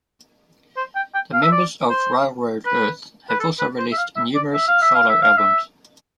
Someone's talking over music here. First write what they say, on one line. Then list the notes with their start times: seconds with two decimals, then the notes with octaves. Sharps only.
The members of Railroad Earth have also released numerous solo albums.
0.77 C5
0.95 G5
1.15 G5
1.34 F5
1.42 E5
1.52 D5
1.90 C5
2.66 B4
3.29 B4
3.40 A4
3.59 B4
3.79 C5
3.92 E5
3.97 F5
4.16 E5
4.35 D5
4.54 E5
4.68 F5
4.82 E5
4.95 F5
5.09 E5
5.22 F5
5.37 E5